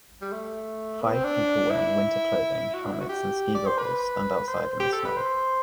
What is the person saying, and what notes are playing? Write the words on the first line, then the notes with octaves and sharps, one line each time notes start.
Five people wearing winter clothing, helmets, and ski goggles stand outside in the snow.
G3
A3
B3
C4
D4
E4
F#4
D4
E4
F#4
G4
D5
C5
B4
C5
G4
A4
B4
C5